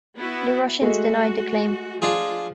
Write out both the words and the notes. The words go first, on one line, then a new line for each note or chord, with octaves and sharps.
The Russians denied the claim.
B3 E4 F#4
G#3 A3 F#4
F3 D4 F4 G#4